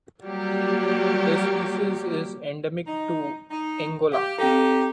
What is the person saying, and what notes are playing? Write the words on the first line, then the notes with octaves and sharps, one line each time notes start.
The species is endemic to Angola.
F#3 G3 A#3 G4
D#4
D#4
G4 F5
C4 D#4 G4 A4